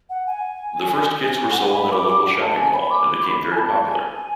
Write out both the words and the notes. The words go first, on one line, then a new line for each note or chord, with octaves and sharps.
The first kits were sold at a local shopping mall and became very popular.
F#5
G#5
F#5
G#5
B5
D6
D6
A5
G#5
B5
D6
B5
G#5
A5
G#5